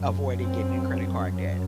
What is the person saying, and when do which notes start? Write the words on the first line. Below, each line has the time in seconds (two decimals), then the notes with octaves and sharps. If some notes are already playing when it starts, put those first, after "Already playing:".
avoiding getting in credit card debt.
Already playing: F#2
0.38 C4